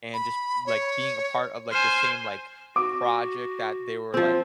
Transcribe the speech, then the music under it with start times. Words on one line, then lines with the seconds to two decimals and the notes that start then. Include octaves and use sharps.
and just, like, being a part of, like, the same, like, project that they were, like,
0.14 B5
0.66 C#5
1.72 C5 G#5 F6
2.76 F#4 D6
4.14 F3 C4 F4